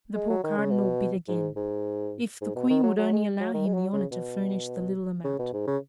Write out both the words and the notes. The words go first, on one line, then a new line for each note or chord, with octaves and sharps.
The poor cardinal bit again--"If the Queen would only allow him the honor to furnish the little amount!"
G#3
F#3
D#3
C#3
B2
G#2
G#2
G#2
B2
D#3
F#3
F#3
G#3
F#3
D#3
G#3
F#3
C#3
B2
C#3
B2
G#2
C#3